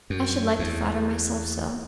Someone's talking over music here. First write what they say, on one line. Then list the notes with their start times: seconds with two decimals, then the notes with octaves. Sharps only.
I should like to flatter myself so.
0.10 F#2
0.59 E2